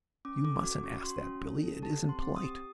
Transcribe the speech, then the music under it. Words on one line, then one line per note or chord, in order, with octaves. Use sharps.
"You mustn't ask that, Billie; it isn't polite!"
C#4 D6
A4 D6
F#4 D6
C#4 C#6
F#4 C6
C#4
C#4
A4
G4 A5
C4
C6
C4
D#6
G4